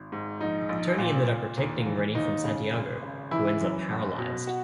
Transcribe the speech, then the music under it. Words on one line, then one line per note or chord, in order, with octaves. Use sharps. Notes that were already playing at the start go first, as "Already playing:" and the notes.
Tony ended up protecting Reny from Santiago, who ends up paralyzed.
Already playing: G#1
G#2
A#1 D#4
A#1
A#2
A#2
D#2
E3
D#2 D#4
C#3
G#1
C#3
E3 E4
F#2
F#1
B2
F#4